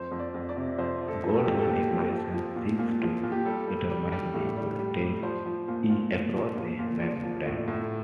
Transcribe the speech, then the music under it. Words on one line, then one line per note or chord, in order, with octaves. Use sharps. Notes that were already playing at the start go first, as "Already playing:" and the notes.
Goldman's equation seeks to determine the voltage "E" across a membrane.
Already playing: F2 C5
F2
D5
F2
D5
C3
F2 C5
F3
A4
F3
A4
G4
F2
A4
A#2 G4
F3
F3
F3
A#2
A#2
F3
A#2
G4
G3 A4
G3
G3
G3
A2
G3
G3
G3
F3 C5
F3
A#2
A#2
A#2
F3
A#2
A#2
F3 D5
F3
A2
A2